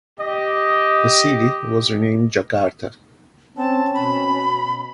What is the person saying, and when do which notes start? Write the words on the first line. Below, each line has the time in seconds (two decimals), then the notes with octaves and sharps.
The city was renamed Jakarta.
0.20 G4 D#5
3.57 C4 C#4 A5
3.94 B2 B5